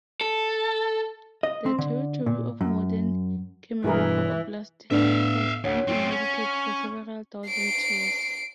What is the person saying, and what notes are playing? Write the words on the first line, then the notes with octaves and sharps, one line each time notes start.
The territory of modern Kemerovo Oblast has been inhabited for several thousand years.
A4
D#5
C4
D3
A#2
F#2
G2 B2 E3 E4 G#4 A#4
A2 B3 D4 E5 F5
D2 C#5 F#5
F#2 C4
C#4
C7 D7